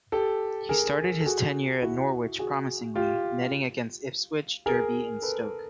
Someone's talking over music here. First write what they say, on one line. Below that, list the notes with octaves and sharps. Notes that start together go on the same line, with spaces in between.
He started his tenure at Norwich promisingly, netting against Ipswich, Derby and Stoke.
G4 A4
G#4 A#4
A4
F#4 G#4
E4 F#4
F#4 G#4
F4 G4
G#4 A#4
A4 B4